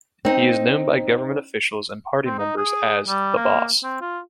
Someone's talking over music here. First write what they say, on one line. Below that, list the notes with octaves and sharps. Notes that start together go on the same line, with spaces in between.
He is known by government officials and party members as "the Boss".
C4 D#4
C4
D#4
G#4
G3
A#3
C4
F4